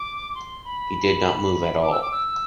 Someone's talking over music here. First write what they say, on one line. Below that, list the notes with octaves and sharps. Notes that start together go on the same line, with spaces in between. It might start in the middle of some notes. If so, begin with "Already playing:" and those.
He did not move at all.
Already playing: D6
C6
B5
D6
E6
D6
E6